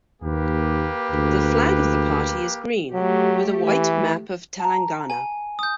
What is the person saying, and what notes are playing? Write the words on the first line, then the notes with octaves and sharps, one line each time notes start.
The flag of the party is green, with a white map of Telangana.
D#2 A#3 G4 B4
D2
F#3 A3 G4
E3
A5 A#5
G#5
D#6 G6